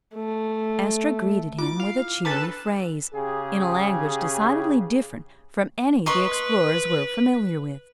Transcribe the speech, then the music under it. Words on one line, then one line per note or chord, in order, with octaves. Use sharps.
Estra greeted him with a cheery phrase, in a language decidedly different from any the explorers were familiar with.
A3
E4 F4 D6
F5
D4 A4 B4 A5 A#5 D6
C#3 G4 G#4
B4 D#5 C6 C#6